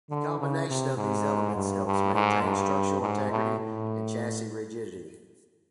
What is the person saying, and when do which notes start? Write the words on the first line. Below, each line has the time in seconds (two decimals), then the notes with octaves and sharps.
The combination of these elements helps maintain structural integrity and chassis rigidity.
0.10 D3
0.40 C#3
0.69 C3
0.97 G#2
1.56 G2
1.86 G2
2.15 G#2
2.43 G2
3.01 G#2
3.31 A2
3.59 A2